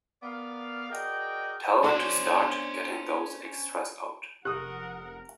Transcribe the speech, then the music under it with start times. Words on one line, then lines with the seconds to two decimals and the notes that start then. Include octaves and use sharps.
Tell them to start getting those extras out.
0.23 B3 A#4 D5 F5
0.90 F#4 G#4 A#4 D5 D#5 G5
1.84 C#4 D4 F#4 C5
4.45 F1 G4 A#4 F#5 D#6 F#6